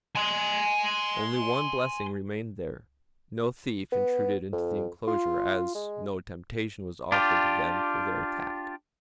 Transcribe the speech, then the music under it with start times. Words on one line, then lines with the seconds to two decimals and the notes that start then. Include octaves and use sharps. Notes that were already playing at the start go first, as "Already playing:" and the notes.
Only one blessing remained there--no thief intruded into the enclosure, as no temptation was offered to them for their attack.
0.16 G#5 C6
3.92 B3
4.53 F2
5.08 F4
5.75 G#3
7.12 D4 F4 G4